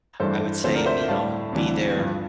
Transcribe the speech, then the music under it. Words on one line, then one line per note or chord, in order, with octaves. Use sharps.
I would say, you know, be there,
G2 E3 G3 A4 C5
D2 C3 F3 A4 C5
A#4 D5
C5 E5
A2 G3 F5 A5
D2 C3 E3 G3
G2 F3